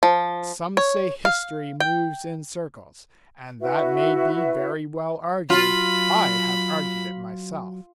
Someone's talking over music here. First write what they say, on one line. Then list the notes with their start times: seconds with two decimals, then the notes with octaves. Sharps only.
But some say, history moves in circles; and that may be very well argued; I have argued it myself.
0.03 F3
0.77 C#5
1.25 F5
1.80 G5
3.60 E4 F#4 B4 E5
5.50 F#3 F4 B5